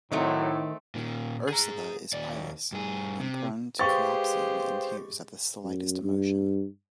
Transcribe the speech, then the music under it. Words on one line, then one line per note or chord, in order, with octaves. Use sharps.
Ursula is pious and prone to collapsing in tears at the slightest emotion.
A2 D#3 F#3 A3 C4 D#4
A#2 D#3
G#4 A#5
D#2 D5
G2 G#4
C3
G#3 G4 B4 C5 F5 G5 C#6 A6
F#2
G2